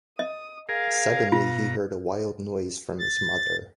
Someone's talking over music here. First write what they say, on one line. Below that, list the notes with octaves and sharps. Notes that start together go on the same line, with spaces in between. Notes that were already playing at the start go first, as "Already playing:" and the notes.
Suddenly he heard a wild noise from his mother.
D#5 D#6
G#4 A#4 F5
B2 F4 A#5
A6